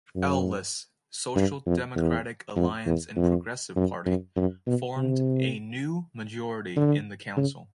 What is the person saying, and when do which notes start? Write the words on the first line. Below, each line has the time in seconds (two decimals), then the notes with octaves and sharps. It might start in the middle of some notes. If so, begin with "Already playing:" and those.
L-list, Social Democratic Alliance and Progressive Party formed a new majority in the council.
0.16 F#2
1.36 G2
1.66 F2
1.95 E2
2.56 F2
2.86 E2
3.16 F2
3.76 F#2
4.06 F#2
4.36 F#2
4.66 B2
4.97 C3
6.77 D3
7.37 C#3